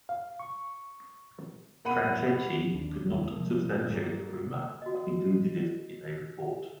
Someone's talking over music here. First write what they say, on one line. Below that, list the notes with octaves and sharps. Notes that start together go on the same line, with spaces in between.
Franchetti could not substantiate the rumor but included it in a report.
F5
C#6
E1 A#3 F#5 B5 D#7
D#2 D4
F1 D#2
C3 F3 G#3 A#3
A#2 D3
G2 F#3 G3 A#3
C3 A#3
F#4 D#5